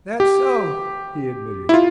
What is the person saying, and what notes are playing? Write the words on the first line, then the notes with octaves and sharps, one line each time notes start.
"That's so," he admitted.
G4
E4
F4